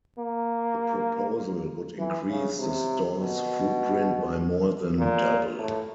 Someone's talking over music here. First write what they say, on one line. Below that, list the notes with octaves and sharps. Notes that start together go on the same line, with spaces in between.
The proposal would increase the store's footprint by more than double.
A#3
E3
C#3
C3
B2
A#2
A2